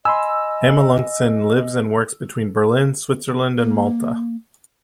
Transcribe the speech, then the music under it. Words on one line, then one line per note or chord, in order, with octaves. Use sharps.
Amelunxen lives and works between Berlin, Switzerland and Malta.
D#5 G#5 B5 C6 E6
A#3